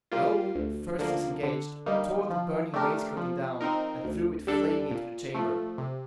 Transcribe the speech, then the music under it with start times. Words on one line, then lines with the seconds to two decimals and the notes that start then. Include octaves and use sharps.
Raoul, first disengaged, tore the burning wainscoting down, and threw it flaming into the chamber.
0.11 G3 A#3 F4
0.55 D2
0.99 D3 F3 A#3
1.43 D3
1.86 G3 A#3 D#4
2.30 F3
2.74 A3 D4 G4 A#4
3.17 F3
3.61 C4 D#4 A#4
4.04 D2
4.47 D3 G3 D4 A4
4.91 A#2
5.35 F3 A3
5.78 C3